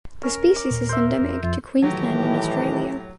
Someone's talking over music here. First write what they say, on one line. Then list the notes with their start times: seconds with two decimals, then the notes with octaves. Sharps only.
The species is endemic to Queensland in Australia.
0.23 C#4 A#4
0.56 D6
0.71 D#2 A#2
0.89 C5 E5
1.21 F2
1.43 F2 F4 E5
1.82 A2 D#3 E3 F#3 G4 C#5 A#5